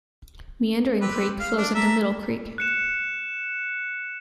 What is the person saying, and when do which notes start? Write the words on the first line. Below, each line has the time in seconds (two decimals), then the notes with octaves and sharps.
Meandering Creek flows into Middle Creek.
1.01 C4 G4 B4
1.40 F5
1.57 D4
1.75 A4 E5 A#5
2.58 F#6 C#7 E7